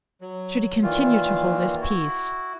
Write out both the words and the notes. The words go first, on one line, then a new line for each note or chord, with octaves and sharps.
Should he continue to hold his peace?
F#3
A#2 D#3 E3 F4
E4 F#4